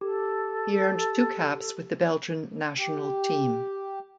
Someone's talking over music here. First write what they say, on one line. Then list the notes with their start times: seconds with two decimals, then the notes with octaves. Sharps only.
He earned two caps with the Belgian national team.
0.01 G4 A4
2.78 G4